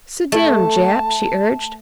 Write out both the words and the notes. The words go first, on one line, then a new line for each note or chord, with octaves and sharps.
"Sit down, Jap," she urged.
A3 A5